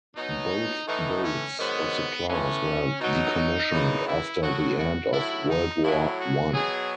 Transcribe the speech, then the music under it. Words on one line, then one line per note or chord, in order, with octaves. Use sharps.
Both boats of the class were decommissioned after the end of World War I.
B2 F#3 D#4
A2 E3 D#4
C#4
G#2 D#3 F#3 B3
A2 E3 C#4
B2 F#3 D#4
F#2 C#3 E3
E4
A2 F#3 F#4
F#4
A2 F#3 E4
D#4
A2 F#3 E4
F#4
B2 F#3 G#4